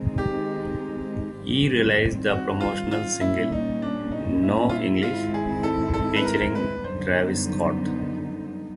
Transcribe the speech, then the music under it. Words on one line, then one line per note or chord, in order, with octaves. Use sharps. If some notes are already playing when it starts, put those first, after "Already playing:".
He released the promotional single "No English" featuring Travis Scott.
Already playing: D#3 G#3 C4 D#4
G4
G#2 D#3 G3 C4
F#4
F4
F4
A#2 G3 A#3 C#4 E4
D#4
D4
D#4
E4
F4
E4
G#2 D#3 G#3 C4 E4 F4
G#4
A4
A4
B4
A#4
B4
F#2 D3 G3 B3 D#4 C5